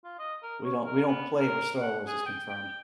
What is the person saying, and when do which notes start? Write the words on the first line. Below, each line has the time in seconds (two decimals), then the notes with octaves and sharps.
we don't we don't play where Star Wars is confirmed.
0.04 F4
0.19 D#5
0.43 A#4
0.65 C#5
0.85 A#4
1.08 B3
1.39 A#4
1.81 F#5
2.07 G#4
2.26 G5
2.50 G5